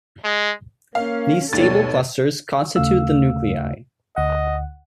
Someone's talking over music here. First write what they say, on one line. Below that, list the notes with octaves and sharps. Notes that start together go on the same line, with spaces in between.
These stable clusters constitute the nuclei.
G#3
A#3 C#4 F5
D#2 B2 G3 A4 C#5 A6
D#2 C#3 A3 F5 E6
D2 D#5 F#5